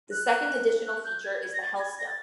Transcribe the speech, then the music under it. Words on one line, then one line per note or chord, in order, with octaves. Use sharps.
The second additional feature is the Hellstone.
F#6
F#6
G6
G#6
G#6
A#6
A6
G#6
A#6
A6